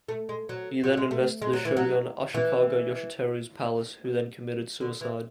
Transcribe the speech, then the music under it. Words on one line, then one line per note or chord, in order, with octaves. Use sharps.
He then invested the shogun Ashikaga Yoshiteru's palace, who then committed suicide.
A3
G#3
F#3
F#3
G#3
A3
G#3
F#3
E3
F#3
E3
D3
E3